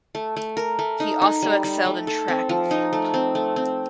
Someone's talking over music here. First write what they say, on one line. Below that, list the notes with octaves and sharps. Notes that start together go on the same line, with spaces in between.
He also excelled in track and field.
A3
A3
A#4
A3
D#4
D#4
G3
G3
A3
A4
C4
F3
D#4
A3
C4
A3
C4